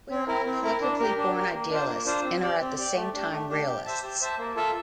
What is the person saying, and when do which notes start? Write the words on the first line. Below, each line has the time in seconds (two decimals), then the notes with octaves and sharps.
We are all collectively born idealists, and are at the same time realists.
0.10 C4
0.28 E4 A#4
0.46 C4
0.63 E4 A#4
0.81 D4
0.99 G4 A#4
1.17 D4
1.35 G4 A#4
1.53 A#3
1.70 D4 F4 C5
1.88 A#3
2.06 D4 F4 C5
2.24 C4
2.42 G4 D5
2.61 C4
2.78 G4 D5
2.95 A3
3.13 D4 G4
3.31 A3
3.49 D4 G4
3.67 G4
3.85 C5 E5 A5
4.03 G4
4.22 C5 E5 A5
4.38 A#3
4.56 F4 A4 E5 A5